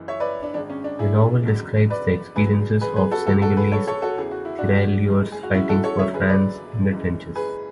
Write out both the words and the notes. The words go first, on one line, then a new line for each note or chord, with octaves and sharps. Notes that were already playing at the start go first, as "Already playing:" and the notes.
The novel describes the experiences of Senegalese Tirailleurs fighting for France in the trenches.
Already playing: F#1 F#2 E3
C#5 E5
B4 D5
D4
G#1 G#2 G#3 D4
C#4
D4
E4 G#4
F#1 E2 D3 F#3
B4 D5
E2 D3 F#3 G#4 B4
G#4 B4
G#4 B4
F#4 A4
D2 C#3 F#3 F#4 A4
F#4 A4
G#4 B4
A4 C#5
A4 C#5
F#4 A4
E2 C#3 E3 G#4
F#4
E4
D4 F#4
F#1 F#2 E3 G#3
G#4
F#4
C#4 E4
F#4 A4
A4 C#5
F#1 F#2 D3 F#3 C#5 E5
G#4 B4
B4 D5
F#1 F#2 E3 G#3
G#4 B4